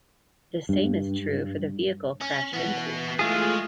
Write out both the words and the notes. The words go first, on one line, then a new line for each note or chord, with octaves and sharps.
The same is true for the vehicle crashed into.
G2
C#4
E3 B3 F#4
G#3 A3 F4 G#4